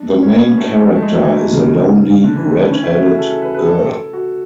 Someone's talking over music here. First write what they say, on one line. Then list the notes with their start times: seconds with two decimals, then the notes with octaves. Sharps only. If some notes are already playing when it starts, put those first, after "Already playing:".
The main character is a lonely red-headed girl.
Already playing: D4
0.22 C#4
0.34 B3
0.58 A3
0.82 G#3
0.94 A3
1.02 G#3
1.11 F#3
1.20 E3
1.29 D3
1.53 C#3
2.24 D3
2.36 E3
2.47 A3
2.59 B3
2.71 C#4
2.83 E4
2.95 F#4
3.06 G#4
3.18 A4
3.30 A4
3.42 B4
3.54 B4
3.66 A4
3.90 A4
4.13 F#4